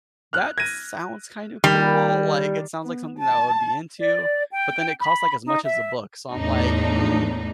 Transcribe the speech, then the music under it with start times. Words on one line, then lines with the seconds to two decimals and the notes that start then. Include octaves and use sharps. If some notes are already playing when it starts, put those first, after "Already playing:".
"That sounds kinda cool, like, it sounds like something that I would be into." But then it costs, like, as much as a book, so I'm like, "Uh,
0.33 F6 F#6
0.58 G#6 A#6 D#7
1.64 D#3 G3
2.83 B3
3.19 A5
3.99 D5
4.52 G5
5.01 B5
5.46 D#4
5.64 E5
6.33 E2 A2 D4 D#4